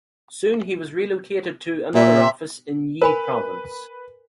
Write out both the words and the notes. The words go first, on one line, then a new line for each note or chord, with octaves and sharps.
Soon he was relocated to another office in Yi province.
A#2 E5
A#4 B4 G#5 B5